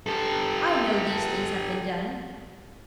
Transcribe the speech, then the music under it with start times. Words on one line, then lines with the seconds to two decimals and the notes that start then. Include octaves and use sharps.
I know these things have been done.
0.06 G4 A4